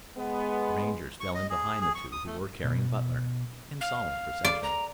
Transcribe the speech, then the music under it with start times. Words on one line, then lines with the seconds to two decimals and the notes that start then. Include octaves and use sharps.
The Rangers fell in behind the two who were carrying Butler, in solemn procession.
0.17 G#3 B3
1.20 C#6
1.35 D#5
1.50 G#4
1.81 G#4
1.95 C#6
2.12 D#6
2.27 A3
2.64 B2
3.81 F5
4.44 D5
4.63 A#5